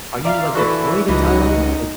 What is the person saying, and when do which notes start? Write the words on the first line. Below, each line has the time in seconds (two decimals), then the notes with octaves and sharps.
Are you, like, deployed in Thailand? Like
0.25 D5 E5 F5 A#5 C6
0.55 E3 D4 F#4 A4 B4
1.08 C#2 E3 G3 D#4 F#4 D#5